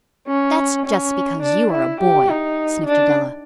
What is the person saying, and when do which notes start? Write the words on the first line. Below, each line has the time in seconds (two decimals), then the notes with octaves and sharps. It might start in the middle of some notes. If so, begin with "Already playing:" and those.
"That's just because you are a boy," sniffed Adela.
0.27 C#4
0.85 C#4
1.42 D4
1.72 E4
2.00 G4
2.29 D#4
2.86 D4